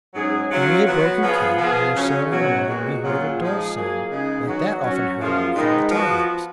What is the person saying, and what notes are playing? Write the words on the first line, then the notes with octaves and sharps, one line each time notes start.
When we had broken camp and were sailing along, we heard a dull sound like that often heard from the tide rips.
G#2 F#3 C#4 G#4
F#3 C#4 F4
F#3 B3 F#4
F3 B3 F4 G#4
F3 B3 F4 G#4
C#3 F#3 C#4
B2 F#3 C#4 F#4
A#2 G#3 B3 F#4
A#2 F#3 C#4 F4 G#4
F3 G#3 D#4 G#4
F#3 A#3 F4 G#4
C#3 G#3 D#4 G#4
D#3 F#3 B3 F#4
F#3 C#4 F#4
F#2 F3 A#3 F4 G#4
G#2 D#3 G#3 B3 D#4
F3 B3 F#4